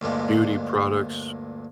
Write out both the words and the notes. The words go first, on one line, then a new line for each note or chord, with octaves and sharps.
beauty products,
D2 G2 A#2 G#3